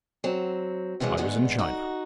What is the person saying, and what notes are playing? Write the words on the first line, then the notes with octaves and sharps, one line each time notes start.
I was in China.
F#3 C4
C3 D#3 E3 F#3 G#3
E2 D3 G#3 B3
D#4 F#4